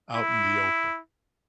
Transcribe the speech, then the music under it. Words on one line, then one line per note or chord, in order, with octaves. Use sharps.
out in the open,
E4